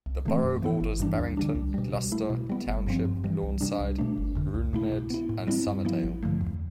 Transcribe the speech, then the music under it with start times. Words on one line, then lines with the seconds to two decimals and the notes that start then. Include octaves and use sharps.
The borough borders Barrington, Gloucester Township, Lawnside, Runnemede and Somerdale.
0.06 C2
0.25 C3 E3 A3 C4
0.43 G2
0.62 E3 B3 E4
0.81 G1
1.00 G2 E3 G3 D4
1.18 D2
1.37 D3 G3 D4
1.55 C2
1.74 B2 G3
1.93 B2
2.12 A3 E4
2.30 B2
2.50 G3 B3
2.67 G1
2.86 G2 F3 C4
3.05 G2
3.24 E3 G3
3.43 C2
3.61 C3 G3 D4
3.80 C2
3.98 B2 A3 D4
4.18 G1
4.35 F2 D3
4.54 C2
4.73 B2 A3 E4
4.92 B2
5.10 B3 E4
5.29 A2
5.47 G3 C4 E4
5.67 G2
5.85 F3 B3 E4
6.03 A1
6.23 G2 D3 F3 A3
6.41 E2